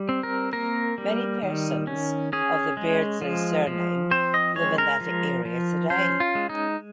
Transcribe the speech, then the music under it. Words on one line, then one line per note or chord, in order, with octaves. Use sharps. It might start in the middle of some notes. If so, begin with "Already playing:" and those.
Many persons of the Beardsley surname live in that area today.
Already playing: G3
C4
A#4
A#3 A#4
G3
D#3
C#4
C#4 G#4
G#3
F3
F3
C4 C5
D#5
G#3 C#5
A#4
F3
F3
C#4 C5
F4
G#3
D#4